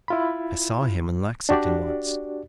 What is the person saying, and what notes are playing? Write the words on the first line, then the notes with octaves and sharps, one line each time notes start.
I saw him in Lexington once.
E4 F4 B5
D4 F#4 G4 D5